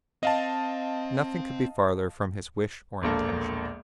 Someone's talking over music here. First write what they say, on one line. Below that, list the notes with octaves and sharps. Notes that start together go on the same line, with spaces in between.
Nothing could be farther from his wish or intention.
C4 D#5 F5 A5
E1 A#1 A#3 A4